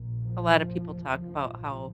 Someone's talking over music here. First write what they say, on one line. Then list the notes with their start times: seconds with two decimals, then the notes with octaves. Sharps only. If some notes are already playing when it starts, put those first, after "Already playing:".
a lot of people talk about how
Already playing: A#1 A#2
0.24 F3
0.63 F1 D#2
1.02 F3
1.41 A#1 G#2